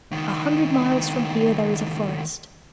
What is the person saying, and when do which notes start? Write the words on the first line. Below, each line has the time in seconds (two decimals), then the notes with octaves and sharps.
A hundred miles from here there is a forest.
0.12 C#2 D#3